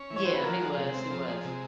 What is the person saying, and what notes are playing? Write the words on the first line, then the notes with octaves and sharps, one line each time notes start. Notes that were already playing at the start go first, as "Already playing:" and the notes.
Yeah, he was, he was.
Already playing: C#4
E3
C#5
F#4 C5
B4
F3 A#4
G#3
C3
C4
F3
G#3
C3